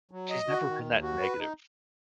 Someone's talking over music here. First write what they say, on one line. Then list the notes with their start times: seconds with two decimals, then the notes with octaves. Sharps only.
She's never been that negative
0.11 F#3
0.30 D#5
0.48 F#4
0.66 D#3
0.85 D#2
1.02 F#4
1.20 B4
1.39 D#4